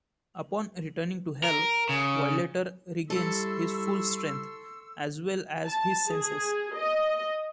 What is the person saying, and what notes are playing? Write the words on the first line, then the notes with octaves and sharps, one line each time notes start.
Upon returning to Hell, Violator regains his full strength, as well as his senses.
A#4
C#3
G3 E4 A4 E5 C6 C#6 E6
A5
G#4
D#5